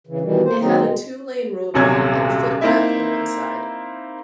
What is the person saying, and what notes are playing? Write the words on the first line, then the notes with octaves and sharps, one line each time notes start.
It had a two-lane roadway and a footpath on one side.
C#3 E3
B2 D#3 E3 G3
A#3 C5
D#3 F#3 G#3 A#3 C4 D#4
B2 G#3
D#1 B1 F#2 C3 C#4 G#6
A#3 C4 D#4 E4 E5